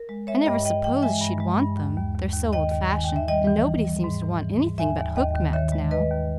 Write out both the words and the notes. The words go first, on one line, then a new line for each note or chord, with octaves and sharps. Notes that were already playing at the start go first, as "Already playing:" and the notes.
I never supposed she'd want them--they're so old-fashioned, and nobody seems to want anything but hooked mats now.
Already playing: A#4
G#3
G#3 C#5 E5
G2 D#5 G5
G2 D#5 G5
E3 D#5 G5
G#3 E5 G#5
G2
G#3
G2
D#2
D#2
D#2
D#2
D#3 D#5 G5
D#2
D#3 G#5
D#2 G5
E5
G3 D#5 G5
E3
E3
G3
G#2
E3
E3
G#2
D#2 E5 G#5
D#2
D#2 D#5 G5
D#3
D#3 C#5 E5
G#3
D#2 B4 D#5
D#2